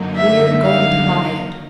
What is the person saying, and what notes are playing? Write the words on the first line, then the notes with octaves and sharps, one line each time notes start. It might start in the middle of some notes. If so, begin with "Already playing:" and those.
"We're going to buy it."
Already playing: F#2 D3 F#3 A#3 D#4
E5
F5